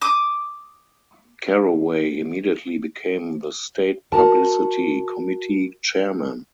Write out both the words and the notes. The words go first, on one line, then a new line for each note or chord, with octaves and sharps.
Carraway immediately became the State Publicity Committee Chairman.
D6 D#6
F#4 A#4 A5